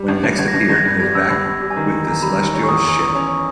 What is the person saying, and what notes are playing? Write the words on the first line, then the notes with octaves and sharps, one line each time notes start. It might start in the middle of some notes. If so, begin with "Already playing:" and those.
When he next appeared, it was back with the Celestials' ship.
Already playing: G3
G1
G1
G1 G#6
A#6
G1 G#6
G1 A#6
G#6
G2 A#6
G3 G#6
G1 E6
G1 B5
G1
G3
G#5
D#3 A#5
E2
E2 A#5
G3 B5
D#3
C#4
C#6
E2 D#6
E2
E2
C#4